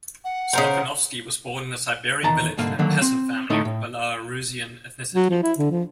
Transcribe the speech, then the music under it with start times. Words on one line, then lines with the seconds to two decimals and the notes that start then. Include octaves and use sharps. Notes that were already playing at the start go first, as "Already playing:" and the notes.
Smoktunovsky was born in a Siberian village in a peasant family of Belarusian ethnicity.
0.24 F#5
0.53 C#3 A#4 C5
2.23 E2 D#3 A5 A#5
2.58 C2 G#2 D3 A#3 F5
2.79 D3 D#3 F#3 A#3
3.02 C4
3.50 A2 D3 A3 D#4 E4 A4
3.65 A2
5.15 F#3
5.30 F3
5.43 E4
5.58 D3
5.71 F3